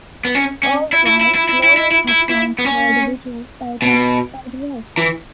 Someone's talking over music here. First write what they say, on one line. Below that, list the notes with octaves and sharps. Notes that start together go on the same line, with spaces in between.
All the while, loyal patrons held vigils out on its sidewalks.
B3
C#4
C#4
E4
E4
E4
E4
E4
E4
E4
E4
E4
E4
B3
C#4
B2
E3